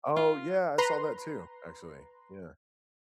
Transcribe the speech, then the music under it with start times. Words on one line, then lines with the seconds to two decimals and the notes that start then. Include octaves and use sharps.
Oh, yeah. I saw that too, actually, yeah.
0.16 F4
0.78 B4 A#5 C6